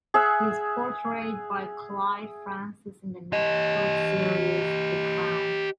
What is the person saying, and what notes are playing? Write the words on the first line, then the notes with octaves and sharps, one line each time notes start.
He is portrayed by Clive Francis in the Netflix series "The Crown".
G#4 E5 F#5
G4 D#5